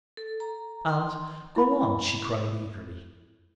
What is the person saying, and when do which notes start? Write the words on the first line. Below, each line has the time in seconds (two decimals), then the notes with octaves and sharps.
And--'Go on,' she cried eagerly.
0.17 A4
0.40 A#5
0.89 C6
1.56 E4 B5